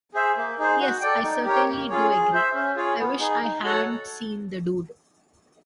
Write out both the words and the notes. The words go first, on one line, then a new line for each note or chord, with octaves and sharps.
Yes I certainly do agree—I wish I hadn't seen the dude.
G#4 C5 E5
A#3
D#4 G#4 C5
F#4
A4 D5 G5
D#4
G4 A#4 C#5
A#3
C#4 F4 G#4 C#5
G#4
C5 E5
C#4
F4 G#4 C#5
B3
D#4 G#4
D#4
F#4 A4 C#5 F#5